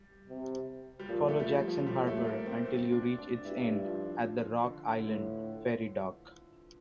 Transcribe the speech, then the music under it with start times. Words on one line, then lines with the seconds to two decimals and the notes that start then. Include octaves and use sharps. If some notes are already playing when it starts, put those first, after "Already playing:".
Follow Jackson Harbor until you reach its end at the Rock Island Ferry dock.
Already playing: G3
0.29 C3
0.99 G3
1.08 A#2 F3
1.28 A3
1.39 G3
1.48 F3
1.68 F3
1.87 A2 G3
2.07 A3
2.27 A#3
2.46 C4
2.65 C4
2.92 D4
3.18 D4
3.45 G2 E4
3.84 F3
4.24 F3
4.63 D3
4.97 D3
5.02 A2 E3